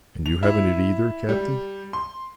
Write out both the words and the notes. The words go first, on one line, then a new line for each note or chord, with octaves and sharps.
"And you haven't it either, captain?"
F7
E4
G3
C6